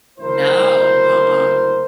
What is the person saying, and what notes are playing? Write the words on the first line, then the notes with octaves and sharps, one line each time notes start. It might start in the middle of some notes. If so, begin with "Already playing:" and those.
No, nuh-uh.
F#1 D2 E4 A#4 C5